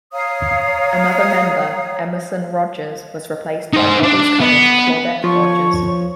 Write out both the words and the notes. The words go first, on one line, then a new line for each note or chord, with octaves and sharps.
Another member, Emerson Rogers, was replaced by Bobby's cousin Claudette Rogers.
C#5 F5 A#5 D#6
D#4 C5
D4
B3
F3 C#5 C#6